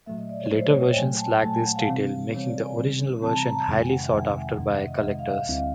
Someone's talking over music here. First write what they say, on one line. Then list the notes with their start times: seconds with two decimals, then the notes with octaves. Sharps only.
Later versions lack this detail, making the original version highly sought after by collectors.
0.06 A#2 F#3 A3 E5
0.18 D#5
0.29 D5
0.40 C#5
0.51 A#2 F#3 A3 C5
0.67 C#5
0.82 D#5
0.92 G5
0.96 A#2 F#3 A3 G#5
1.19 A5
1.42 A#2 F#3 A3 A5
1.54 G#5
1.65 F#5
1.76 F5
1.87 C3 E3 G3 C4
2.32 C3 E3 G3 C4 C#5
2.47 D5
2.62 G#5
2.78 C3 E3 G3 C4
3.22 C3 E3 G3 C4 A5
3.38 A#5
3.53 A5
3.68 F2 C3 D#3 G#3 G#5
3.79 G5
3.90 F#5
4.02 E5
4.13 F2 C3 D#3 G#3
4.58 F2 C3 D#3 G#3 F#5
4.74 E5
4.88 D#5
5.03 F2 C3 D#3 G#3 D#5
5.19 F5
5.34 F5
5.48 D2 D3 G3 C4 E4